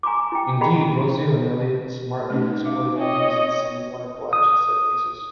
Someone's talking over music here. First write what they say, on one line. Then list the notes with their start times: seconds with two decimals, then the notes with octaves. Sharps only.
Indeed, Rossio and Elliot smartly exploit these in some wonderful action set-pieces.
0.03 G#5 A#5 C6 D6
0.32 E4 G5
0.61 G#4 D#5 F#5 G5 A#5 B5
2.30 A3 C#4 D#4
2.65 D#4 E5 F5 D6
2.96 C4 F4 C#5 D#5 G5
4.33 D#6